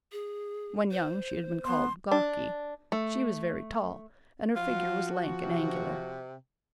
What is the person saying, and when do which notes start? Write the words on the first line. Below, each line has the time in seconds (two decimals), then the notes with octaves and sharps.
When young she had been called "gawky." She was very tall and her figure was lank and angular.
0.12 G#4
0.91 C5
1.65 B3 C6
2.12 D4
2.92 A3
4.56 F3 F4 F#4
5.41 C3